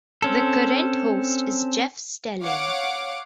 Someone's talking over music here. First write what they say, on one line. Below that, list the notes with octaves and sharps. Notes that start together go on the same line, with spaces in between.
The current host is Jeff Stelling.
C4 C#4 A4
C#5 F5 F#5 D6